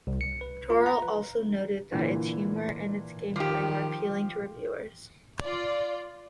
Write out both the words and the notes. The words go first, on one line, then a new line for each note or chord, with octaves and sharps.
Torill also noted that its humour and its gameplay were appealing to reviewers.
C2
C#7
B4
F4
A#5
B4
A#2 D3 E3
D#3 F3 G4 D6
F4 D5